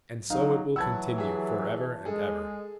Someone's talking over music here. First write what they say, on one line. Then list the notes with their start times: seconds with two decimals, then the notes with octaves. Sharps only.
And so it will continue for ever and ever.
0.30 F#3 D#4 F5
0.76 E3 F#3 F#5 A5 B5 E6 G#6
1.16 G4 G#4 E5
2.05 G#3 G#4 A4 D#5